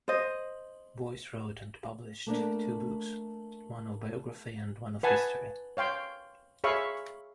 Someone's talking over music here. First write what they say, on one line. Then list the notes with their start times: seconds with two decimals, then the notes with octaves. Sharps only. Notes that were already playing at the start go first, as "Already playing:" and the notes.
Boece wrote and published two books, one of biography and one of history.
0.08 C5 D#5
2.26 A3 A#3 D4
5.03 B4 F#5 G#5 A5
5.77 C#5 F5 G5 C6
6.64 G#4 C#5 E5 F5 B5 C#6